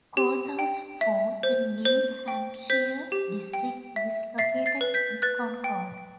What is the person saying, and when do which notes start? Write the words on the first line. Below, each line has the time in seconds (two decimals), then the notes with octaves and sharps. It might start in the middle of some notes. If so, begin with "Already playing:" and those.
Courthouse for the New Hampshire district is located in Concord.
0.17 G4
0.59 G5
1.01 E5
1.43 C5
1.85 C5
2.28 G5
2.70 C5 G6 B6
3.12 G4
3.53 G5
3.96 E5
4.38 E5 A6 C7
4.66 A6 C7
4.81 B4
4.94 G6 B6
5.22 B4 F#6 A6
5.64 G5